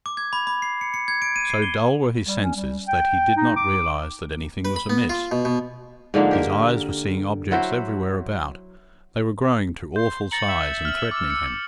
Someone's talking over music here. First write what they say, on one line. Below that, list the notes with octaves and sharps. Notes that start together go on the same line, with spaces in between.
So dull were his senses that he did not realise that anything was amiss. His eyes were seeing objects everywhere about--they were growing to awful size and threatening him.
D6
G#6
B5
B5
C7
C#7
C#7
G#6
D7
D#7
C7
G7
G3
C#4
G3
G5
D#4
D6
B4
B5
B3
F4
B2
B2
G#2 D3 F3 A#3
G4 A#4
F#3 E4 F#4 C5
C6 G6
A#5 A6 C#7 F#7
E5
F6 F#7
D6 E6
C#7